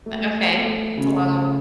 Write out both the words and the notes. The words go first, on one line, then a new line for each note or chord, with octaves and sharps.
Eh okay, that's a long
A3
A3
C#3